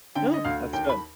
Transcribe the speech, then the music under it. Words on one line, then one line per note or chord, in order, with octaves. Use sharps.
Oh, that's good,
D3 G5
D#5
D2 F5
D#2 G5
B5